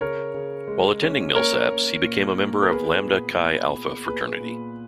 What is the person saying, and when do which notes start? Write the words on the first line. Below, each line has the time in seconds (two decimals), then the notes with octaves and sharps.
While attending Millsaps, he became a member of Lambda Chi Alpha Fraternity.
0.01 C#3 A#4 C#5
0.34 C#3
0.68 G#3
1.02 C#4
1.35 A#3 A#4 C#5
1.70 A#3
2.04 A#2
2.37 A#3
2.62 A#4
2.71 B3 G#4 B4
3.05 A#2
3.39 A#2
3.73 B3
4.06 A#2 G#4 B4
4.40 A#2